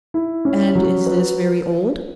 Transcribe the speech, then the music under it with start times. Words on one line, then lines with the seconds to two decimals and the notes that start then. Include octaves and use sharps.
'And is this very old?'
0.14 E4
0.45 C#4
0.75 F#3
1.06 B4